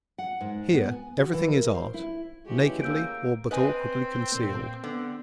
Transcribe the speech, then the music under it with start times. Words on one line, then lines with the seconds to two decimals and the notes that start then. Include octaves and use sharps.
Here every thing is art, nakedly, or but awkwardly concealed.
0.18 F#5
0.41 G#2
0.74 B3
0.87 G#5
1.18 F#4
1.33 E3
1.51 A#4
1.74 C5
1.94 E4
2.46 C#3 E3 G#3 E4 F#4 G4
2.82 A#3 E6 G6 D7
3.51 C4 B4 D#5 G#5
4.32 A#2 A#3
4.84 D3 B3